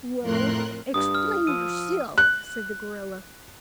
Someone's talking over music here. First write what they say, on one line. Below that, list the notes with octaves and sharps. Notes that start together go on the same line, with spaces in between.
"Well, explain yourself," said the gorilla.
F2 A2 A#4 C6 F#6
G2 D#6
F6
F3 E6 D#7
F#6